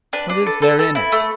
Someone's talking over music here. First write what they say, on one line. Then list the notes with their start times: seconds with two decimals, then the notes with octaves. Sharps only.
What is there in it?
0.13 D4 B4
0.29 D4
0.46 A4
0.62 A4
0.79 A4
0.95 E4
1.12 A3